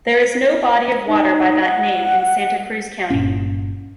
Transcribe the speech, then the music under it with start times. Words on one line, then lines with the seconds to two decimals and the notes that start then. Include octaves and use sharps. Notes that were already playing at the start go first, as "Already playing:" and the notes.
There is no body of water by that name in Santa Cruz County.
1.07 D#4
1.62 F#5
3.10 G1 G2 A#2 C#4